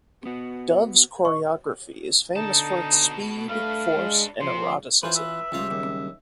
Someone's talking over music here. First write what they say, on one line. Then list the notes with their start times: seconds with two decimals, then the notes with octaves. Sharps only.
Dove's choreography is famous for its speed, force and eroticism.
0.25 B3 F#4
1.25 D#5 C#6
2.36 B2 D3 D#4 A5
3.49 A3 D4 B4 F5
3.95 G#3
4.41 C3 F3 C6
5.03 E3 C#4 F4 B4 C5
5.16 E5
5.52 C#2 F#2 C#3 G3 F4 F5
5.71 D#2